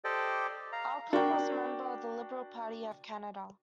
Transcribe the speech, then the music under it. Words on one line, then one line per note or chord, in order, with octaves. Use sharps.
Alcock was a member of the Liberal Party of Canada.
G4 A4 C5 D5 D#5 G5
F5 A#5
D4 F#4 A#4 G5